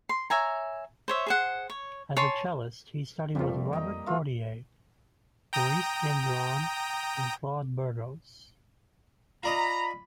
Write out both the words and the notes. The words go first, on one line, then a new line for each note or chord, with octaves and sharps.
As a cellist, he studied with Robert Cordier, Maurice Gendron and Claude Burgos.
C6
C#5 E5 G#5 A#5
C5 C#5 E5
G#4 C5 F#5
C#5
C#5 G#5 A5 C6
F2 F3 G3 A3 A#3
D#5 G5 A#5
A3 F4 C5
G5 A#5 D#6
F4 D5 D#5 A#5 B5